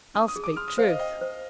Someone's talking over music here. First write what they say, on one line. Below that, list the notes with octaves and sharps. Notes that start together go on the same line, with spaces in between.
I'll speak truth.
D4 D#6
D#6
G#4
D6
C6 F6
D#6
C5 F5
D#5
D#5 G5
C5